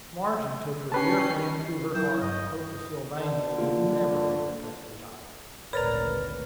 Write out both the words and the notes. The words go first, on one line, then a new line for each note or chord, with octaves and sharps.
Margie took her dear friend to her heart, and hoped the Sylvania would never overtake the Islander.
C#4 G4 B4 A5 C7
F#3 E4 A#4 G5
G2 D#5
D3
A#3 F4
G#1 D2 A#2 A#4 B4 C#5 D5 A#5